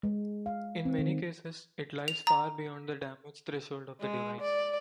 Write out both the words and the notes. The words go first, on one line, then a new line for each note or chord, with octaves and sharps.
In many cases, it lies far beyond the damage threshold of the device.
G#3
F5
C4
D#3
F7
A#5
G#3
D5